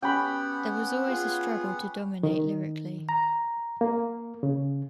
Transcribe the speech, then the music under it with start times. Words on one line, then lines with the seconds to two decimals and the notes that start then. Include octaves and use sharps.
There was always a struggle to dominate lyrically.
0.02 B3 C#4 G4 F#5 G5 B5
1.09 F4 G#4
2.23 D#3
3.09 A#5
3.81 A#3
4.43 C#3